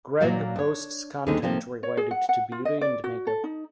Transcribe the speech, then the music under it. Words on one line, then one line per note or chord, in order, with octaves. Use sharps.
Gregg posts content related to beauty and makeup.
A#2 F#3 A#3 F#4 D5 F5
D4 C#5
D#2 D3 D#3 C4 D#4 G#4
C3 F3 A#3 C4
C#5
G#4
F#5
F#5
F4
D#5
D5
F#4
A4
D#4